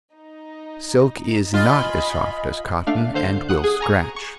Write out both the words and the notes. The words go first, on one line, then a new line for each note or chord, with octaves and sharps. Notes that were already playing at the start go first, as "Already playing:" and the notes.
Silk is not as soft as cotton and will scratch.
D#4
F4 D#5 G#5 B5
A3 D4 F5
D3 C5 F5 G6 C7
F#5 D#6 F#6
G#4 D#6
G#5 A#5 C#6
C#6